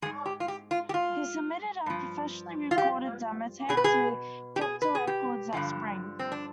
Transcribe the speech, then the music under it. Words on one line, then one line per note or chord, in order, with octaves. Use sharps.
He submitted a professionally recorded demo tape to Capitol Records that spring.
F3 G#4
G#2
G4
F4
G4
F4
G4
F4
G2 F3
F4
G4
B2 G#4
B4
G#4
G4
G#4
B4
G#4
G4
G2 D3 F3
C4
D4